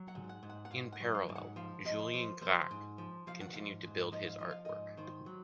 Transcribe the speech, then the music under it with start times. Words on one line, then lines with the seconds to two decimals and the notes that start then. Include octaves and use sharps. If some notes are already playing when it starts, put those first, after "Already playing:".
In parallel, Julien Gracq continued to build his artwork.
Already playing: F#3
0.08 F#5
0.15 G#2
0.29 F#5
0.43 G#2
0.49 F#5
0.65 F#5
0.71 G#2 F5
0.92 F#5
1.00 F#3
1.14 F5
1.29 G#2
1.36 F#5
1.56 F3 F5
1.85 F3 D#5
2.14 F3 C5
2.41 F3 C5
2.71 G#2
2.98 F3
3.27 F3 F5
3.41 F#5
3.53 G#2 F5
3.84 G#2
4.12 F3 D#5
4.26 F5
4.39 F3 D#5
4.51 F5
4.65 G#2 D#5
4.97 D#3 C5
5.26 F#3